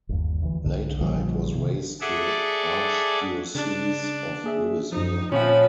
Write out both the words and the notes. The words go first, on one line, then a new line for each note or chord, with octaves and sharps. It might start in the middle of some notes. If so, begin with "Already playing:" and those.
Later it was raised to Archdiocese of Louisville.
G1 D#2
D2 D#3 E3
C2 G#2 D3
A#1 D3 F3 G3
C3 D#3
G#4 A4 D5 E5 F#5
C#3 D4
A#3 G#4 E5
F#2 F3 D#4
A#2 F3 C#4 F4 E5 F#5 B5